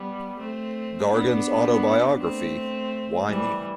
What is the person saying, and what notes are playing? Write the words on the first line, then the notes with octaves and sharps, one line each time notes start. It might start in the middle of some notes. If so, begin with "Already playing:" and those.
Gargan's autobiography, Why Me?
Already playing: G3 B3
A3 C4
B3 D4
A3 C4
E3 G3